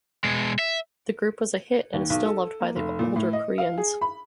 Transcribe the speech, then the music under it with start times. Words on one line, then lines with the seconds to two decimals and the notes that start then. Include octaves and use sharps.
The group was a hit and is still loved by the older Koreans.
0.24 B2 G#3
0.59 E5
1.93 D#2
2.10 B1
2.25 A4
2.60 A#3
2.76 F1
2.99 A#2
3.16 A2
3.33 D#5
3.58 F5
3.78 G#4
4.01 B5